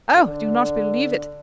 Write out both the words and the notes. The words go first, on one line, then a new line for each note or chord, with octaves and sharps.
Oh! do not believe it!
D3